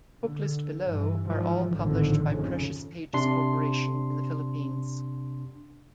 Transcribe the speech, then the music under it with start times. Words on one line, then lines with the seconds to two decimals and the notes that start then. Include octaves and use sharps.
Book list below are all published by Precious Pages Corporation in the Philippines.
0.22 D3
0.85 G2 E3
1.27 G#2 E3 F3
1.72 G#1 F2 A2 D3 D#3 F3
2.29 F2 C#3
3.13 C3 D4 C6 C7